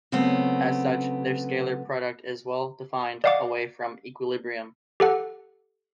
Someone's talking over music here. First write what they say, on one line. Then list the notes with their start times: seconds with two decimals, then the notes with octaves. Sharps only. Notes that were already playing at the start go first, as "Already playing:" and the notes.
As such, their scalar product is well-defined away from equilibrium.
0.12 C#3 F#3 A3 B3 C4
3.24 D5 D#5 F5 F#5 D6
5.00 G4 A4 F#5